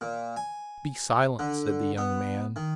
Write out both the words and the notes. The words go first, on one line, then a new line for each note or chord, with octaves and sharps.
"Be silent," said the young man.
A#2
G#5
D3
B3
D#3